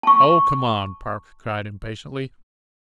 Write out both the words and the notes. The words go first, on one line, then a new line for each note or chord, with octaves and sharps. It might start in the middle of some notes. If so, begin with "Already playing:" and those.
"Oh, come on," Park cried impatiently.
A5 C#6